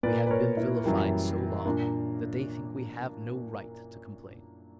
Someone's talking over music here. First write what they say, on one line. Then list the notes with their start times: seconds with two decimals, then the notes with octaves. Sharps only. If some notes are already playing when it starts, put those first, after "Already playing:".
We have been vilified so long, that they think we have no right to complain.
0.03 A#2 A#3 B4 D5
0.26 B4
0.31 A#4 C#5
0.57 E4
0.84 F#2 E3 G3 A#3
1.65 A#2 A#3 D4